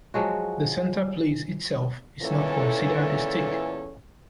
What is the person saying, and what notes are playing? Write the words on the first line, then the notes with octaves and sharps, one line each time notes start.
The center place itself is not considered a stake.
F3 F#3 G#3 F#4
E2 A#2 E3 C#4 A4